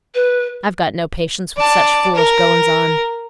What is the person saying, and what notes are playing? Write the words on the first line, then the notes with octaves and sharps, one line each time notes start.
"I've got no patience with such foolish goin's-on."
B4
D5 A5
A#4